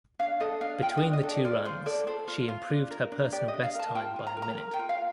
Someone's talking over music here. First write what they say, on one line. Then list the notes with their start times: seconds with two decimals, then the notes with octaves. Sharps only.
Between the two runs, she improved her personal best time by a minute.
0.19 D4 F5
0.40 A4 D#5
0.61 D4 F5
0.82 F4 G5
0.97 D#5
1.03 D4
1.13 D#5
1.23 A4
1.29 D5
1.45 F4 D5
1.65 F4 C5
1.86 A4 D5
2.07 A4 C5
2.28 F4
2.48 F4
2.70 D4
2.90 A#4
3.12 D4
3.32 G4 D5
3.48 D#5
3.54 D4
3.64 F5
3.75 A#4 A5
3.95 F4 G5
4.16 F4
4.27 A#5
4.37 A#4
4.42 A#5
4.58 A#4
4.73 G5
4.79 F4
4.89 F5